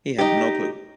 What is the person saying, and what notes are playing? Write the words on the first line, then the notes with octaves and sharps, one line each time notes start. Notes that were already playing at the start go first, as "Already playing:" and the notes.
He had no clue.
D#4 G4